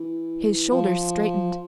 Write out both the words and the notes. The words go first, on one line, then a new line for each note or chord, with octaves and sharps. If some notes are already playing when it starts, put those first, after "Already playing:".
His shoulders straightened.
Already playing: E3
F3